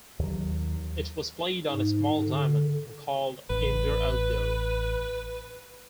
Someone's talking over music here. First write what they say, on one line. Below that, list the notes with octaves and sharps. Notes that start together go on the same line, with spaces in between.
It was played on a small diamond and called indoor-outdoor.
D#2 F#3
G#2
D3
A1 B4